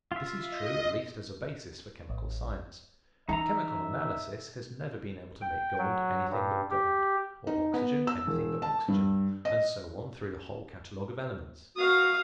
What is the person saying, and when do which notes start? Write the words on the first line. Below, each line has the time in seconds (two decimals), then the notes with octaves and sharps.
This is true at least as a basis for chemical science. Chemical analysis has never been able to make gold anything but gold, or oxygen anything but oxygen, and so on through the whole catalogue of elements.
0.12 F4 E5
0.50 D#5
2.10 A1
3.29 E3 D#4 E5 A#5
5.42 G5
5.78 F#3
6.30 G2
6.71 G4
7.47 D#4
7.74 B3
8.07 E6
8.27 E1
8.62 A5
8.88 G2
9.45 D#5
11.76 F#4 F5 D#6